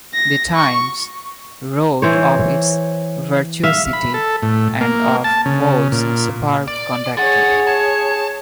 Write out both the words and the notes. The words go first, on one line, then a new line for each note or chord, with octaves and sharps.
"The Times" wrote of its "virtuosity" and of Boult's "superb" conducting.
A#6
C#6
E3 C5 C#5
E5 F5
B5
A4
A2
A#3
A5
C#3
A#2
D5
D3 G#4 C#5 F#5 A6
A5 G#6